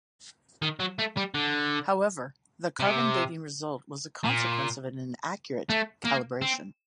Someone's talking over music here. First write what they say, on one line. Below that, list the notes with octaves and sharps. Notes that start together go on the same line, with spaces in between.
However, the carbon dating result was a consequence of an incorrect calibration.
D#3
F#3
A3
G3
D3
C3
A#2
A3
A#3
C4